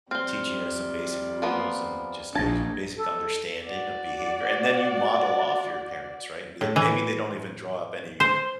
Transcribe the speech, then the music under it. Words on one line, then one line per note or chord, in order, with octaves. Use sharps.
teaching us some basic rules and just basic basic understanding of behavior? And then you model off your parents, right? They maybe they don't even draw up any
F2 C3 G3 C4 C5 F6 G7
F3 A#3 B3
A#1 D4 D#4 A5 G#6 A#6
A4
F#4 D5
A2
E3
C5